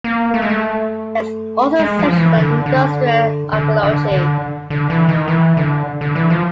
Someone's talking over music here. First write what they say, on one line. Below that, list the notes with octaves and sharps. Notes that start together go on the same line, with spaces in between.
There's also a section on industrial archaeology.
A#3
A3
G#3
A3
G#3
F3
F3
E3
D3
D3
D3
D3
D3
D3
E3
D#3
E3
D3
D3
E3
F3